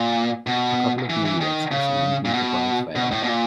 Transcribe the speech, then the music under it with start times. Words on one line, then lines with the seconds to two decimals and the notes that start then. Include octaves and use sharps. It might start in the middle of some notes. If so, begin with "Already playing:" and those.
A couple of newlyweds kissing underneath the bride 's veil.
Already playing: A#2
0.47 B2
1.10 E3
1.25 E3
1.41 D#3
1.72 C#3
2.25 A#2
2.34 B2
2.96 B2
3.11 A2
3.23 B2
3.27 A#2